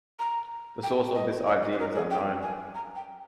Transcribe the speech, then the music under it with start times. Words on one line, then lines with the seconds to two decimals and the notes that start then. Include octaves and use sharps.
The source of this idea is unknown.
0.19 A#5
0.83 G5
1.15 D#5
1.47 C#5
1.63 D#5
1.72 C5
1.79 A#4
1.95 G#4
2.11 G5
2.42 G#5
2.75 A#5
2.95 G5